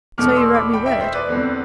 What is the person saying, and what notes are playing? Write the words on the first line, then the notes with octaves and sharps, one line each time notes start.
"So you wrote me word."
E2 B2 A3 D6 F6
C6 E6
B5 D6
G5 B5
E5 G5
C5 E5
B4 D5
E2 D3 G3 C4